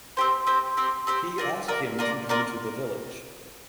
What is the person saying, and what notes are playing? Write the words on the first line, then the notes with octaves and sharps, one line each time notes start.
He ask him to come to the village.
C4 G4 C5
C4 G4 C5
C4 G4 C5
C4 G4 C5
F4 A#4 D5
F4 A#4 D5
F4 A#4 D5
F4 A#4 D5